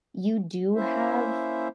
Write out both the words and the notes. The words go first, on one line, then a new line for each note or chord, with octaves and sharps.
you do have
A#3 C#4 E4 C5 E5